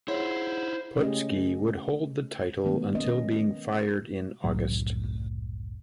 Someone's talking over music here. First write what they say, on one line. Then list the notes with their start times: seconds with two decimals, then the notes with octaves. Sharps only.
Putski would hold the title until being fired in August.
0.08 E4 F4 G#4 C5 C#5 F#5
0.99 C#3 A3 C#4 G4 G#4 D#5
2.64 D#3 F#3 G#3 A3 B3
2.95 A#3 B3 C#4 D#5
4.44 F#1 C2 A2 F#3